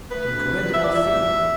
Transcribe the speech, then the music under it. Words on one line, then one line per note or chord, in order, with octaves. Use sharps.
Incredible thing!
A3 B4
D2
C3
C3
B3 E5
D5
E2
E5
A3
E2